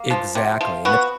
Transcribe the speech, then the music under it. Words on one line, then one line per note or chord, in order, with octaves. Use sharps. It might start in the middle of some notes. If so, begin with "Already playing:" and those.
Exactly, and it's
Already playing: A#3
F3
C3
F3
B3 F#4